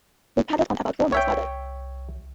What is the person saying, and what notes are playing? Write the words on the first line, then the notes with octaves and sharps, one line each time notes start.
We paddled on about four miles farther.
C2 C#5 E5 G5